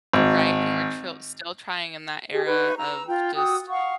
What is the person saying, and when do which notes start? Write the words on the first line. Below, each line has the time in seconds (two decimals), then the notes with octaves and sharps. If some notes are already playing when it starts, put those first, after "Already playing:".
Right? And we're tril still trying in that era of just,
0.13 G#1
2.33 G4 G#4
2.47 D#4 B4 C#6
2.78 A#5 E6
3.07 F4 G5
3.35 F#4 G5 D#6 E6
3.69 F5 F#5 C#6